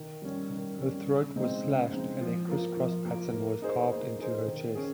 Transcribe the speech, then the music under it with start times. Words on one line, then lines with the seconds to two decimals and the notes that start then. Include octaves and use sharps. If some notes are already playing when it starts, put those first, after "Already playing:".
Her throat was slashed and a criss-cross pattern was carved into her chest.
Already playing: D#3
0.22 G3 C#4
0.50 D#3
0.78 G3 C#4
1.07 C#3
1.36 G#3 C4 D#4
1.64 C#3
1.93 G#3 C4 D#4
2.21 F3
2.49 A#3 F4 A#4
2.77 F3
3.05 A#3 F4 A#4
3.34 A#3
3.62 D#4 G#4 C5
3.91 A#3
4.19 D#4 G#4 C5
4.47 D#3
4.75 C#4 G#4